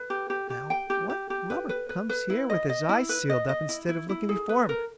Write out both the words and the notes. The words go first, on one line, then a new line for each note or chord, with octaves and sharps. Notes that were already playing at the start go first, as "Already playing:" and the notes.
Now, what lubber comes here with his eyes sealed up instead of looking before him?
Already playing: B4
G4
G4
G4
G5
G4
G4
G4
B4
B4
B4
B4
E4
D#5
D#5
E4
B4
D#5
D#5
E4
E4
E4
G#4
B4
A#4